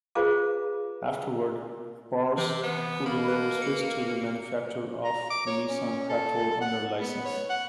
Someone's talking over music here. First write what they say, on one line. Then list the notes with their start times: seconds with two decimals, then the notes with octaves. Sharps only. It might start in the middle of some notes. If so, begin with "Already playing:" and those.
Afterward, Pars Khodro switched to the manufacture of the Nissan Patrol under licence.
0.15 F4 G#4 B4 C5 F5 D6
2.38 C3 E3
2.63 B3
3.06 A#3 B5
3.28 B4
3.62 C#7
5.04 A#5
5.30 D6
5.46 C#5
5.69 C#4
6.09 A4
6.61 F#5
7.00 B3
7.25 C#5
7.49 F#5